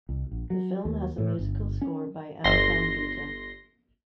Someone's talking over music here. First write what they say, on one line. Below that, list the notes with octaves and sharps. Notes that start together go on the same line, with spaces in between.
The film has musical score by Anupam Dutta.
C2
A#1
F#3
D#2
A2
G1
C#4
G1 C6 A#6